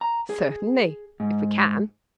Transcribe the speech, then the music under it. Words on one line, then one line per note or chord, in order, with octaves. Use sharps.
"Certainly--if we can."
A#5
G#4
G#2